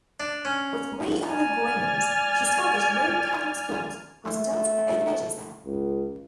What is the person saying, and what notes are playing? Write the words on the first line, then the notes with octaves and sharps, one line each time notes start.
With three other Grey Nuns, she established Roman Catholic schools, hospitals and orphanages there.
D4
C#4
D5 G#5 F6 A6
A3
C#2